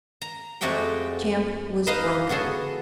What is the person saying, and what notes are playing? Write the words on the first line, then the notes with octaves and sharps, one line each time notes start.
Champ was broken.
A#5
F2 G#3 A3 F#4 G4 G5
D#4 B4 C5 D#5 F5
B3 F#4 G#4 A4